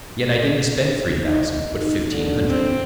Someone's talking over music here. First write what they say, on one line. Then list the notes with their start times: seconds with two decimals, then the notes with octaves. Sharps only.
Yet I didn't spend three thousand, but fifteen hundred.
1.26 D#4
2.11 D3
2.47 C4